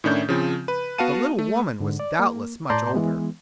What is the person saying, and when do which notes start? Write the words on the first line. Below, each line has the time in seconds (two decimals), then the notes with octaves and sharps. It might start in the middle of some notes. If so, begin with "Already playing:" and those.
But the little woman was doubtless much older.
0.04 A2 D#3 C#4 D4 E4 G6
0.29 C#3 F3 C4
0.68 B4
0.98 B3 F#4 F5 F#5 A5 D#7
1.39 A3
1.80 G#2 D3
2.00 D5
2.19 A#3
2.70 A2 D5 A5 A#5 C6 G6
2.94 E3 G#3 B3